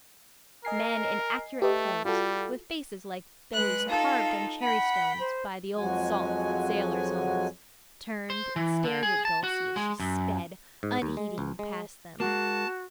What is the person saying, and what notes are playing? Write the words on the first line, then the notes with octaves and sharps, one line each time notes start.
Men in accurate clothes, with faces like those carved on cherry stones by the old salts in sailors' homes, turned and stared at Dulcie as she sped, unheeding, past them.
A#4 D#5 G#5 C7
A3 G4 B4 D#5
G3 F4 F#4 A4
G#3 B4 F#6
D#4 F4 A4 F5
F#5 G5 B5
C5
F2 F3 F#3 G#3 F#4 G#5
C5
E3
D3
G#4
A5
F#4
G#3
F#2
G#2
D#2
G#3
C#2
G#3
G#3 A#3 F#4 A5